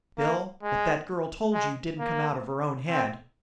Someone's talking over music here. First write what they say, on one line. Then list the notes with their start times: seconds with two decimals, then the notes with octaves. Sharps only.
Bill, what that girl told you didn't come out of her own head.
0.18 A#3
0.63 G#3
1.53 G#3
1.99 A#3
2.89 C4